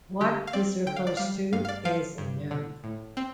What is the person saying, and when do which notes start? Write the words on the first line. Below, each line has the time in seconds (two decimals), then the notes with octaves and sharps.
What this refers to is unknown.
0.21 D3 G4
0.47 F5
0.53 C4 D5
0.87 D3 G5
0.97 F5
1.07 D5
1.17 G3 F5
1.53 G2 F5
1.65 F5
1.69 D5
1.85 F3 F5
2.18 G2
2.51 D3
2.84 A2
3.17 C4